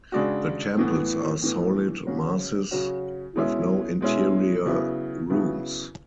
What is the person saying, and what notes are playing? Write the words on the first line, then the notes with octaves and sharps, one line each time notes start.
The temples are solid masses with no interior rooms.
C#3 G#3 D4 F#4
A2 E3 B3
A2 E3 B3
C#3 F#3 C#4 F#4
C#3 F#3 C#4 F#4
B2 G#3 C#4 E4
B2 G#3 C#4 E4
C#3 F#3 B3 E4
C#3 F#3 B3 E4